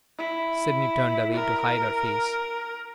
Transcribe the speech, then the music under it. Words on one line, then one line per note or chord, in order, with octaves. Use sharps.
Sydney turned away to hide her face.
E4
A#4